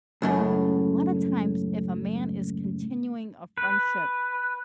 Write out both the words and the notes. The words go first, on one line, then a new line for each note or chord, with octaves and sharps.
A lot of times, if a man is continuing a friendship
C#2 F#2 A2
B4